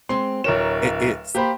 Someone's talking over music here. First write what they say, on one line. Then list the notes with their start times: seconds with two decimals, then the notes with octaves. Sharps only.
i it's
0.09 G#3 C4 C6
0.44 D1 A#4 C#5 E7
0.85 F5
1.35 A#3 G4 C5 B5